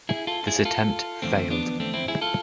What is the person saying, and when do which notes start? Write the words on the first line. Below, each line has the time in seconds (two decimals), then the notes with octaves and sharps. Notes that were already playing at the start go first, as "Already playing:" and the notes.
This attempt failed.
0.09 E4 G#4
0.27 F4 A4
0.43 F4
0.47 E4 G#4
0.65 F4 A4
1.22 E2 D3 F3 A3 C4
1.50 B3 D4
1.80 A3 C4
1.94 C4 E4
2.08 E4 G#4
2.21 F4 A4